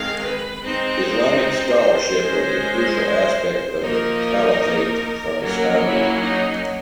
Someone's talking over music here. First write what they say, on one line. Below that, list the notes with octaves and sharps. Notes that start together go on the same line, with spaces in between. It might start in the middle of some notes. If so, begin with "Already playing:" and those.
Islamic scholarship was a crucial aspect of the Caliphate from its founding.
Already playing: D#3 G#3 C4 F5
B4
G#3 C4 D#4 C5
G#3 C#4
F3 A#3 D#4 A#4
F#3 A#3 C#4 A#4
E4
D#4